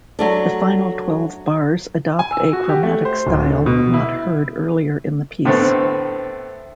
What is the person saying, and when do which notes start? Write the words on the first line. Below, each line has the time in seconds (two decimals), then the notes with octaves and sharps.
The final twelve bars adopt a chromatic style not heard earlier in the piece.
0.19 F#3 A3 D4
2.19 G#5
2.32 E6
2.53 F#4
2.69 G4
2.83 A3
3.05 C5
3.27 D1
3.46 D3
3.66 B2
3.94 E4
5.45 A2 D3 A3 B3 C4